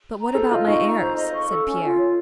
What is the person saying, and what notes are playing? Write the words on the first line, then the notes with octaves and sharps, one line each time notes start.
"But what about my heirs?" said Pierre.
A#5
A4 C5
F4 D#5
D#4 C#6
A#5
C5
D#5
C#6
A4
C#4
F4
C#5